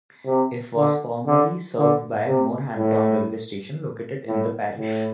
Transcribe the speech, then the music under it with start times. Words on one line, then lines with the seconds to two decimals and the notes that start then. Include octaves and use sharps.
If was formerly served by Moorhampton railway station located in the parish.
0.26 C3
0.77 D3
1.26 D3
1.77 D3
2.27 C3
2.77 A2
4.27 A2
4.77 A2